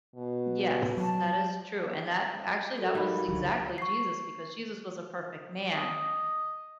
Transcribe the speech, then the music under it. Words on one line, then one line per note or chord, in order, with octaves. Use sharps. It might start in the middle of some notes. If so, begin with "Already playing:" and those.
Yes, that is true, and that w actually that was exactly Jesus because Jesus was a perfect man,
B2
F#3 A5
F#4 A4 A#4
G#2 G3 D#4 A#4 F5 B5
C#2 D3 F#3
C#6 C7
D#5